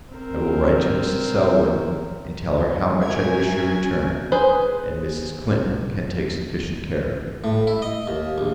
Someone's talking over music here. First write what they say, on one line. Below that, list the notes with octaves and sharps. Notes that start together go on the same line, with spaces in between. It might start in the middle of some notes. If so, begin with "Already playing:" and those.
I will write to Mrs. Selwyn, and tell her how much I wish your return; and Mrs. Clinton can take sufficient care of you.
C4 A#4
F#4 A#4 E5 G#5 G#6
G#4 B4 C5
A2
E4
D#5
D#2
A#1